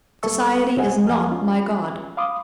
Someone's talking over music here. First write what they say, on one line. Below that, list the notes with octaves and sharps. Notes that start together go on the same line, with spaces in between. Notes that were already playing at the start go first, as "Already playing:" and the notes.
Society is not my God.
C#2 G3 A4 E5 C#6 E6
C2 C4 C5 D#5 F#5 G#5
E2 F3 A#4 D#5 G#5 F6
C#4 F4
F5 B5 C6 D6 D#6